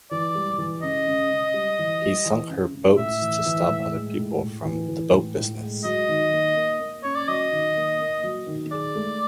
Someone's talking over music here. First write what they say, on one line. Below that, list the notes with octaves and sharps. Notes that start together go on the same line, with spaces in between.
He sunk her boats to stop other people from the boat business.
E3 D5
G3
E3
C#3 D#5
C#3
C#3
G3
E3
G3
E3
C#3
C#3
A2 E5
E3
E3
A2
G#3
A2
A2
E3
E3
A2
A2
G#3
F#3 D#5
D#3
A#3
A#3
A#3
C#4 C#5
D5
F#3 D#5
D#3
A#3
A#3
F#3
D#3
G#4 D5
A3